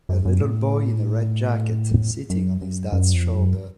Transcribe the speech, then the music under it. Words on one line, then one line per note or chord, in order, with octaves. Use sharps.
A little boy in a red jacket sitting on his dads shoulder.
F#2
F#2
A2
F#2
F#2
F#2
F2
F#2